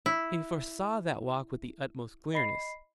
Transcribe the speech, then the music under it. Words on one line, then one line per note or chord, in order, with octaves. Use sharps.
He foresaw that walk with the utmost clearness.
E4
D#5 B5 C7